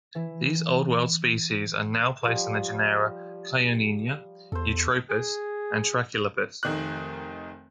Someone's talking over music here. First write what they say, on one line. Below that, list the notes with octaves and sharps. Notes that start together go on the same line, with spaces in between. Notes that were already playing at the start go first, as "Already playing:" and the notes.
These Old World species are now placed in the genera "Chioninia", "Eutropis", and "Trachylepis".
E3 E4
F3 G3
E2 A4 C5
G#4
F1 D#3 F#6